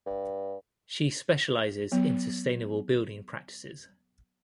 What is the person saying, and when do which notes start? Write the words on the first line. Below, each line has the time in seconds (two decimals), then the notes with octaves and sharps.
She specialises in sustainable building practices.
0.06 G2
1.92 F#3 B3